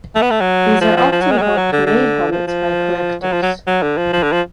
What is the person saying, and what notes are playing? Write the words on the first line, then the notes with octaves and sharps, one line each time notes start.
These are often called "parade helmets" by collectors.
A3
B3
A3
F#3
F3
F3
F3
F#3
G#3
F#3
G#3
F#3
D3
D3
F3
F3
F#3
F3
F#3
F#3
D3
F3
F3
D3
F3